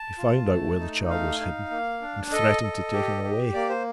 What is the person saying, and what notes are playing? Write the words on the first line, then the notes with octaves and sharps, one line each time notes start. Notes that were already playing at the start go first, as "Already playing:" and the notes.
He found out where the child was hidden, and threatened to take him away.
Already playing: A5
F4
A3
D#4
A3 F5
D#4
A#3
D4
A4 D#5
A4
G4
G4
A#3 D5
C5